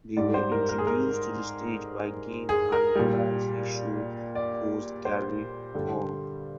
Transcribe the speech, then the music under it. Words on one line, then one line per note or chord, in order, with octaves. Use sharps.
They were introduced to the stage by game and variety show host Garry Moore.
G#2 G3 D5
C5
A#4
A#4
G#4
A#4
G#4
A#4
A#2 G3
D5
C5
G2 D3 G3